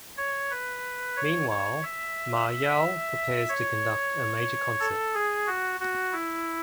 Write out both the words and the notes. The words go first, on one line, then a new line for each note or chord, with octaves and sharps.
Meanwhile, Ma Yau prepares to conduct a major concert.
C#5
B4
C#5
C#5
E5
E5
C#5
A4
G#4
F#4
F#4
E4